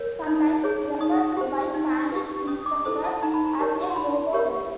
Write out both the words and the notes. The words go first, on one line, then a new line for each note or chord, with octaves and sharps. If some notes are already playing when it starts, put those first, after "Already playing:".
Sometimes referred to by Spanish instructors as a "Yo -go" verb.
Already playing: A#4 C#5
D#4
G#4 C#5
D#4 D#6
G4 C5
D#4
G4 B4
C#4 D#6
D6
D6
E4 A4 C5 D#6
A5
D#4 A#5
B5
A#5
G4 A#4 C#5
C6
E4 B5
G4 A#4 C#5